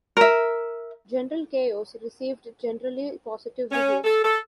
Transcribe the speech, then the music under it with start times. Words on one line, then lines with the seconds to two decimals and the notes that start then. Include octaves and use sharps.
"General Chaos" received generally positive reviews.
0.17 A#4 E5
3.72 C#4
4.04 A4
4.24 A4